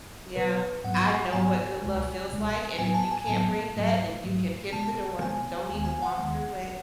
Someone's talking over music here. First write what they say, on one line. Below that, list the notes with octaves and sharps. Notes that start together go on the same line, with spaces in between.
yeah, I know what good love feels like and if you can't bring that, then you can hit the door. Don't even walk through it.
B2 F#3 B3 B4
G#2 F#3 B3 F#5
G#2 F#3 B3 G#5
C#2 B2 G#3
C#2 B2 G#3
A2 F#3 B3 G#5
A5
G#5
A2 F#3 B3 A5
G#2 F#3 A3
G#2 F#3 A3
B2 G#3 B3 A5
B2 G#3 B3 G#5
D#2 D#3 G#3 B3 G#5
G#5
F#5
D#2 D#3 G#3 B3 F#5